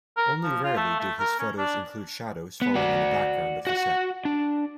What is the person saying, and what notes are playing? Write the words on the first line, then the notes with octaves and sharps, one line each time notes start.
Only rarely do his photos include shadows falling on the background of the set.
A#4
F3
F4
A3
A3
A#4
C#4
D4
B3
F#4 D5
F#4 F#5
D4